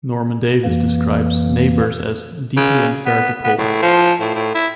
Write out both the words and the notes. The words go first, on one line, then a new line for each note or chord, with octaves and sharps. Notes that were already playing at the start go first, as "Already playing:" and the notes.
Norman Davies describes "Neighbors" as "deeply unfair to Poles".
F2 E3 A#3
C#3
B3
B3
A2
F3
A2
A2
E4